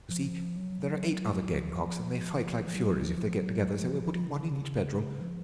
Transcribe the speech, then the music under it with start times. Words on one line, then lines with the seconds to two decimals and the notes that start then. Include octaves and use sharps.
You see, there are eight other gamecocks, and they fight like furies if they get together, so we’re putting one in each bedroom.
0.10 F3
0.57 F#3
1.49 F3
2.39 D#3
2.42 F3
2.67 F3
2.73 F#3
3.04 F3
3.36 F#3
3.74 F#3
3.81 F3
4.28 C#3
4.40 D#3
4.52 C#3
5.21 F3